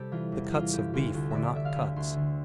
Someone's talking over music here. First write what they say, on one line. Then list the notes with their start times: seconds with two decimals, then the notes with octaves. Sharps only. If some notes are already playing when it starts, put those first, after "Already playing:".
The cuts of beef were not cuts.
Already playing: C3 G3 G4 A4 C5
0.12 E3 F4
0.32 E2
0.53 E3 F4
0.73 D2 G4
0.94 D2 F4
1.14 D2 F4
1.30 D3 D5 E5
1.55 D2 E5
1.65 F5
1.75 D2 E5
1.96 D2 C6
2.16 D3